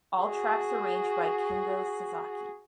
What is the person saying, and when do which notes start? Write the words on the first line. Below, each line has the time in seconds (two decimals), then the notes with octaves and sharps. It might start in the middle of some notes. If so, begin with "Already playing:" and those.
All tracks arranged by Kengo Sasaki.
0.22 F#4 G#4